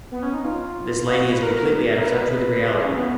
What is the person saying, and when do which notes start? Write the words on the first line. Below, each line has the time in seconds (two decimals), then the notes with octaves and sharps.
This lady is completely out of touch with reality.
0.11 B3
0.23 C#4
0.34 D#4
0.44 F4
1.10 F#4
1.32 B4
1.43 A#4
1.54 A#4
1.97 A#4
2.08 B4
2.74 G#4
2.85 C#4
2.96 B3